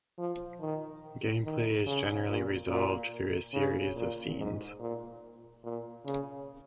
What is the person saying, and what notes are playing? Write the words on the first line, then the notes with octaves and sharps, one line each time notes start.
Gameplay is generally resolved through a series of "scenes".
F3
D#3
D#3
C#3
A#2
A#2
C#3
A#2
G#2
A#2
A#2
C#3